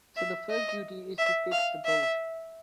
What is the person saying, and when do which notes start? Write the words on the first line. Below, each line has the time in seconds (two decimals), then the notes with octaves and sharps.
So the first duty is to fix the boat.
0.16 E5
0.50 D#5
1.18 E5
1.52 F5
1.85 E5